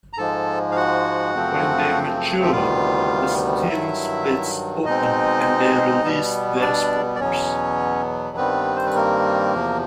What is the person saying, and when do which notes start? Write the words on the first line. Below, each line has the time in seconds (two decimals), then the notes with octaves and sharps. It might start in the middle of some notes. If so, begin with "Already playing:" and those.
When they mature, the skin splits open and they release their spores.
0.13 A#5
0.18 G#2 F3 G#3 A4 A5
0.72 F5
0.76 F#4 F#5
1.35 F#2 C#3 F3 A3 C4
2.42 E5
2.52 D2 C3 D#3 G3 B3 F4 F5
3.69 G2 D#3 F#3 E4 E5
4.85 B2 G#3 C4 D#4 D#5
6.03 B2 G3 B3
6.56 C#5
6.61 D4 D5
7.16 D5
7.20 E2 B2 F#3 B3 C#4 C#5
8.36 G2 D#3 G3 B3 C4 B4
8.76 C5
8.86 B4
8.95 A#3 A#4
9.54 E2 C3 F3